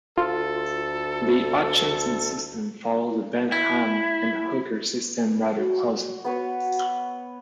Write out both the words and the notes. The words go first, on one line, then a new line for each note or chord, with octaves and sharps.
The Hutchinson system follows the Bentham and Hooker system rather closely.
D2 F4 A4
E4
F#4
B3 B4 C#5